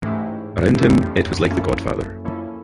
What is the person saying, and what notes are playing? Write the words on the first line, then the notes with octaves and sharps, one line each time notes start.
Around him it was like "The Godfather".
G#2 E3 A3 C#4 E4 G4
G2 E3 A3 C#4 E4 G4
F2
F#2
F3 A#3 C#4 E4 A4
F3 A#3 C#4 E4 A4